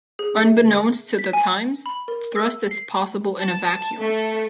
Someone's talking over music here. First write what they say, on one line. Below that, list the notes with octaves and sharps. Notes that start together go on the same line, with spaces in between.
Unbeknownst to the "Times", thrust is possible in a vacuum.
G#4
E5
B6
G#5
B5
A#4
E6
C7
A5
A3